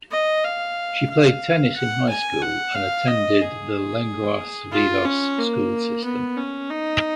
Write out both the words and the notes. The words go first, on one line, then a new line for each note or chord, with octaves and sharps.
She played tennis in high school and attended the Lenguas Vivas school system.
D#5
F5
F5
F#5
G#5
F#5
F5
D#5
G#4
F4
C#4
A#3
B3
C#4
D#4